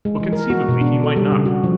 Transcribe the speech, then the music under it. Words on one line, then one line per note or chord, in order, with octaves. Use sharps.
But conceivably he might not.
G#3
E3
A#4
F#4
B2
D4
A4
G3
C#3
F#4
F3